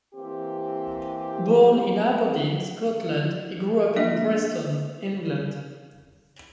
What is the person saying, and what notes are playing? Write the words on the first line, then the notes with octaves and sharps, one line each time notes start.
Born in Aberdeen, Scotland, he grew up in Preston, England.
E3 A#3 C4 G4
G#3 A#3 D4 D#5 E5